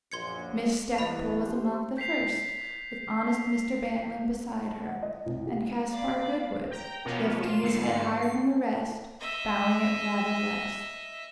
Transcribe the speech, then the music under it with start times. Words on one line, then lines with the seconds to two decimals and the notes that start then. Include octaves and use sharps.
Miss Stackpole was among the first, with honest Mr. Bantling beside her; and Caspar Goodwood, lifting his head higher than the rest--bowing it rather less.
0.12 A#1 F#2 C6 G#6 C#7
0.98 E3 G3 B3 D#5 B5
1.46 G4 C5
1.97 G6 B6 C7 F7
4.87 F#5
5.03 D#5
5.26 C2
5.47 G4
5.91 D5 F5 B5
6.71 G5 A#5
7.05 B2 F3 A#3 B3 C#4
7.40 F4 E7
7.63 G#2 D3 A6 C7 C#7
8.21 C7
9.20 D#5 E5